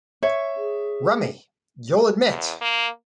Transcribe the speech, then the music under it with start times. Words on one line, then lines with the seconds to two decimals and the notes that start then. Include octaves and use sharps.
Rummy, you'll admit.
0.23 C#5 E5
0.57 G#4
2.28 E2
2.61 A#3